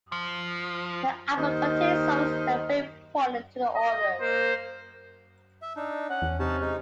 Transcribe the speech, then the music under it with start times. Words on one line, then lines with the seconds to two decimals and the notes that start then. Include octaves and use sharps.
The album contained songs that were very important to the authors.
0.12 F3
1.38 D#2 D#3 D#4 C5 D#5
3.76 D#5
4.19 A#3 C5
5.62 E5
5.76 D4 D#4
6.10 C#4 F#5
6.22 E2
6.40 C3 C#4 D#4 A5
6.61 G#3 D#4